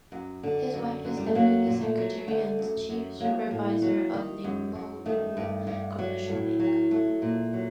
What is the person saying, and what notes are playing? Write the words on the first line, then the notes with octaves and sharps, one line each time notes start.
His wife is deputy secretary and chief supervisor of Ningbo Rural Commercial Bank.
F#2
D3
F#2
F#2
G3
A3
F#3 A#3
A#2
A3
F#3
D3 A3
F#2
F#2
F#3 A#3
A2
F#3
D#3
F#2
F#2
D#3 A3
G2
G2
F#3
A2
F#3
F#3 A3
A#2
F#3